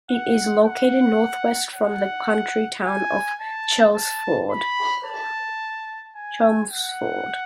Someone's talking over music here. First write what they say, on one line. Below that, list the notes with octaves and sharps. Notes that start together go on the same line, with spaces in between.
It is located Northwest from the county town of Chelmsford.
F#5
F#5
F#5
G#5
A5
A5
B5
A5
G#5
F#5